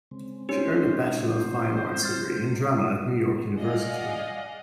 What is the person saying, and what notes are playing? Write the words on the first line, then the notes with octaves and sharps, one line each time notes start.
She earned a Bachelor of Fine Arts degree in drama at New York University.
C#3 G#3 C4
C#4 D#4 G4 C5
C5
F6 G6 A6
G#4 D5 D#5 F5 F#5